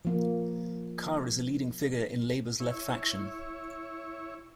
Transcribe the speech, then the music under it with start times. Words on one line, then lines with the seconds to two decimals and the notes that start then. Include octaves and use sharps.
Carr is a leading figure in Labor's left faction.
0.05 F3 A#3
2.60 E4 C#5